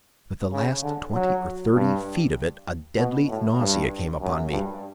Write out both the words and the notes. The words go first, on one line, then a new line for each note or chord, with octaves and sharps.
With the last twenty or thirty feet of it a deadly nausea came upon me.
C#3
D3
F#3
G2
B2
A2
G2
F#2
G2